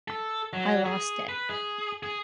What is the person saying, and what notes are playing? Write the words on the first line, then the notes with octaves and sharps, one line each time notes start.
I lost it.
A4
F#3
G#4
B4
G#4
G#4